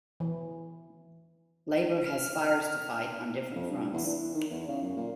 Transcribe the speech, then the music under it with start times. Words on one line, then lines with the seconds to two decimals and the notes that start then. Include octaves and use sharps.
Labour has fires to fight on different fronts.
0.20 E3
2.05 F6
3.55 F2
3.70 G2
3.93 E2
4.07 E3
4.35 D#3
4.51 E2
4.68 C#3
4.82 F#2
4.97 A#2